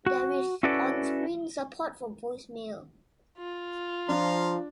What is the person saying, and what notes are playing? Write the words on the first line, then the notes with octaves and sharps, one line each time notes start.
There is on-screen support for voice mail.
F#4
C#4 E4 F#4 A4 B4 D5
F4
F3 D4 F5 A#5 C6